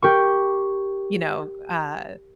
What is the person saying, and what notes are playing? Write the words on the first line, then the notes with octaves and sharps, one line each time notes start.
you know, uh,
G4 A#4 C#6